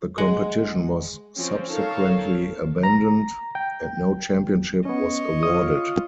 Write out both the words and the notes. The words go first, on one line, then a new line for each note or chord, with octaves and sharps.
The competition was subsequently abandoned and no championship was awarded.
G#3 F#5
F3 C4 C#4
D#4 A4 A#4 C#5 F5 A5
A#5
G5
B3 C#4 C#5 D#5
F4 D#6